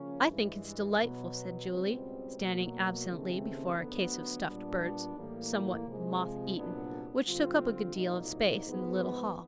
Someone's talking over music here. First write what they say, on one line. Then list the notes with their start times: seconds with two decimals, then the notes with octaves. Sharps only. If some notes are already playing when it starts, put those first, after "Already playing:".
"I think it's delightful," said Julie, standing absently before a case of stuffed birds, somewhat moth-eaten, which took up a good deal of space in the little hall.
Already playing: C#3 F3 A#3 C#4
0.28 G2 E3 G#3
0.97 B2 F#3 B3
1.67 C#2 B2 G3 C4
2.38 B2 F#3 A#3
3.07 D#2 C#3 E3 A3 C4
3.76 D2 D3 F#3 B3
4.46 A#2 G3 B3 D4
5.16 A2 E3 G3 A#3
5.86 C3 F3 G#3
6.56 C2 A#2 F#3 B3 D4
7.26 D3 G3 C4 F4
7.95 C2 A#2 F#3 A#3 D#4
8.65 G#2 F3 G#3 B3